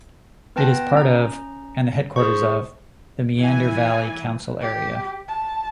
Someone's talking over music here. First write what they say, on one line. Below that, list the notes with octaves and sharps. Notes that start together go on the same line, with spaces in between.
It is part of, and the headquarters of, the Meander Valley Council area.
B3 B4 G5 A5 A#6
C#4 A#5
G#4 C5 C#6
E3 E4 G#5
G4
A5